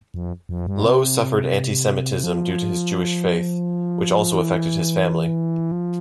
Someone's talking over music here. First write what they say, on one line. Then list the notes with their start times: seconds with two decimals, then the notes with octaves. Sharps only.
Loewe suffered Anti Semitism due to his Jewish faith, which also affected his family.
0.14 F2
0.49 F2
0.67 G2
0.84 C3
2.24 F3
4.33 E3
5.72 F3